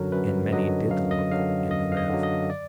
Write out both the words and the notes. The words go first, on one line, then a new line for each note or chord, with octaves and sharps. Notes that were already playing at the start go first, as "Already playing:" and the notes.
And many did look and live.
Already playing: F#2 D3 F#3 A#4
F#2 B4
D3 F#3 D#5
F#2 F5
D#5
D3 F#3 F5
F#2 D#5
F5
D#5
D3 F#3
D#5
D5